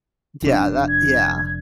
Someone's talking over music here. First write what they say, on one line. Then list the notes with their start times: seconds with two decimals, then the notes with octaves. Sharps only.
D yeah, that yeah.
0.42 F1 D4
0.87 G#6